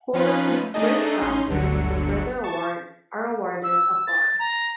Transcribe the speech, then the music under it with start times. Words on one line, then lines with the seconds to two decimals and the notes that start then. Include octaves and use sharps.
Holders of the first class who receive a further award are awarded a bar.
0.14 F3 C#4 D#4 F4 B4
0.74 A3 D4 D#4 G#4 A4 D#5
1.21 A1 C#4 D#4 C6
1.48 G1 D2 D3 F#3 C#7
2.44 A5 C#6
3.63 E6
4.07 A6
4.39 A#5